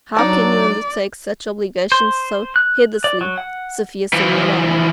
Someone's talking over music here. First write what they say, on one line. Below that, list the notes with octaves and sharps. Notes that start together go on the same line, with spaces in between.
How can you undertake such obligations so heedlessly, Sofya Semyonovna?
F#3 D4 D#4 D5 A5
C5
F#6
D5
F#3
F#5
E3 F3